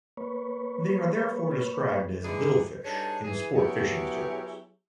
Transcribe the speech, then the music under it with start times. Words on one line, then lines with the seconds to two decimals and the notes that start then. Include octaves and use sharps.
They are therefore described as billfish in sport-fishing circles.
0.17 A#3 B4 C#5
2.23 D3 E3 A3 D4 D#4 G#4
2.85 G2 D4 D#4 G#4 A4 C#5
3.25 E3 G#4
3.56 F#3 B3 E4 G4 G#4 C#5